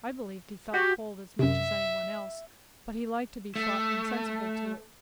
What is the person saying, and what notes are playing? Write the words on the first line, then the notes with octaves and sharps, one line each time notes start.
I believed he felt cold as much as any one else, but he liked to be thought insensible to it.
F#4 G4
F#2 C3 E5
A3